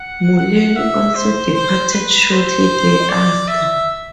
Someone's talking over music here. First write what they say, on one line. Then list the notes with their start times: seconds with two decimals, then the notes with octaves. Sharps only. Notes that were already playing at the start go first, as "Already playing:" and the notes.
Mullaney also departed shortly thereafter.
Already playing: F#5
0.38 F#5
0.76 E5
1.15 C5
1.53 C5
1.93 B4
2.31 C5
3.09 D5
3.48 E5